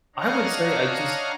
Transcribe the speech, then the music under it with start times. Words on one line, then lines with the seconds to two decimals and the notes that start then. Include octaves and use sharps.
I would say I just
0.16 D4 C#5 D#5 F5 F#5 A#5